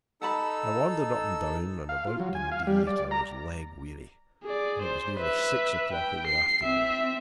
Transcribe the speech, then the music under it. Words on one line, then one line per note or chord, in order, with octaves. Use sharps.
I wandered up and down and about Dundee till I was leg-weary, and it was nearly six o'clock of the afternoon.
D#4 A4 F#5 A5 B5 E6
F5
F4
F#3
G#5
F5
G3
D5
A#5
G#4 D5
C5
B4 E5
G5
C7
C4 E5